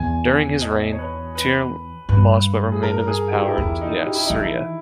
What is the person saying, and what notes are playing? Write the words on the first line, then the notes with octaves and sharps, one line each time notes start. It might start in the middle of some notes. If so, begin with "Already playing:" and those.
During his reign, Tyre lost what remained of its power to Assyria.
Already playing: E2 G#5
D#5
C#5
B4
B4
G2 B4
G#4
A#4
G#4
G4
E4
G4
E2 E4
D#4
G4
E4
E3 D#4
E4